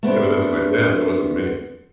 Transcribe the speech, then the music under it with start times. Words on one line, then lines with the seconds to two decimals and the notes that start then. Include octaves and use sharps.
Yeah, but that was my dad, that wasn't me.
0.03 A3 B3 C4 D4